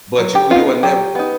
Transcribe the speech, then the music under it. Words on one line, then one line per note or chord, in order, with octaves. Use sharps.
But you you are never
F#3
G4
B3 D#4 F4
F#3 G4
B3 D#4